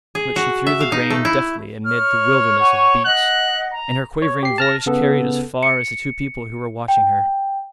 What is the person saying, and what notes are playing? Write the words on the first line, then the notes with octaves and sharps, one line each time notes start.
But she threw the grain deftly amid the wilderness of beaks, and her quavering voice carried as far as the two people who were watching her.
G#4
F#4
E5
F5
D#4
A3
E4
C#5 F6
F#5 G#5 C#6
D#5 F#5 F#6
A#5
C#5
G4 C7
A5 F6 A#6
C#3 B3 A4
C#7
G5